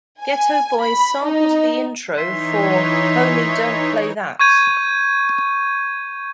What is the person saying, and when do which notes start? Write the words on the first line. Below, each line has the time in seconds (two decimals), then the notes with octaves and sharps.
Geto Boys sampled the intro for "Homie Don't Play That".
0.22 G#5
0.80 B5
1.25 D#4
2.17 E3 D#4 C#5 E5 C6
4.40 C#6 G6 G#6 D#7